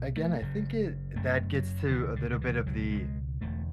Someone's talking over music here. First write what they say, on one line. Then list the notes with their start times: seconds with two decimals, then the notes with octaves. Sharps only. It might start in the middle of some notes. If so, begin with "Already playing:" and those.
again, I think it that gets to a little bit of the,
Already playing: B1 B2
0.16 A3
0.41 F#1 F#2 C#3
1.16 F#1 F#2 C#3 A3
1.53 F#3
1.91 C#2 B2 E3
2.16 D3
2.32 D3
2.41 E3
2.66 C#2 B2 F#3
2.91 G#3
3.41 E1 E2 D3 A3